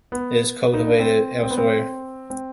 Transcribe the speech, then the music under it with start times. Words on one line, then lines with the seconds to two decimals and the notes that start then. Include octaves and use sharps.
It is cultivated elsewhere.
0.12 B3
0.74 D#4
0.87 D4
0.99 C4
1.43 C4
1.50 B3
1.58 C4
2.30 C4